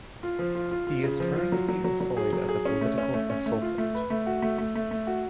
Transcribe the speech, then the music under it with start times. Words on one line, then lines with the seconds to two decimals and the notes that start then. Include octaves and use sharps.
He is currently employed as a political consultant.
0.23 F4
0.39 F3
0.55 F4
0.71 F4
0.87 F4
1.04 C#3
1.20 F3
1.36 F4
1.52 F#3
1.68 F#3
1.84 F#3
2.00 F#3
2.17 G#4
2.33 F#3
2.49 G#4
2.65 C#4
2.81 A3
2.98 C#4
3.14 A3
3.30 C#4
3.46 A3
3.62 F4
3.78 A3
3.95 B4
4.10 A3
4.26 F#4
4.42 A3
4.58 A3
4.75 A3
4.91 A3
5.07 F#4